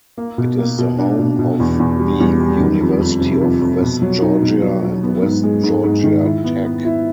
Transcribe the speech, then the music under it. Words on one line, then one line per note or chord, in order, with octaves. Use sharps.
It is the home of the University of West Georgia and West Georgia Tech.
A#3
B2
A#3
B2
D4
B2
B2
E2
E2
G3
E2
G3
D#3
F2
F2
C3
F2
F2
B2
F#3
D#4
B2
F#3
F#3
B3
G#2
G#3
G#2
G#2
D#3
E4
B3
B3
E4